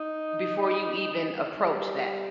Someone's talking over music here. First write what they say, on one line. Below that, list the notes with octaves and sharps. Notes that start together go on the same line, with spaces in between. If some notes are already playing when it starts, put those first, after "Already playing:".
before you even approach that.
Already playing: D#4
G3